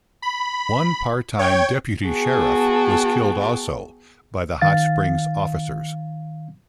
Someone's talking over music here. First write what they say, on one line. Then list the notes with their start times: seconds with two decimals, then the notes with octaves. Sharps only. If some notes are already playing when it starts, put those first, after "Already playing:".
One part-time deputy sheriff was killed also, by the Hot Springs officers.
0.22 B5
1.39 C#5 G5 G#6
2.06 B3 F#4 G#4 G5 A5
4.61 D#3 F5 A6